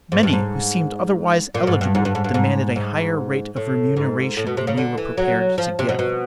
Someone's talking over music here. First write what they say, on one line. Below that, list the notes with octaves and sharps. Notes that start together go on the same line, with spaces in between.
Many, who seemed otherwise eligible, demanded a higher rate of remuneration than we were prepared to give.
G#2
G2
G#2
A#2
G#2
G2
G#2
G2
G#2
G2
G#2
G#2
A2
G#2
A2
B2
C3
C#3
D3
E3
F#3
F3
C3
B2
B2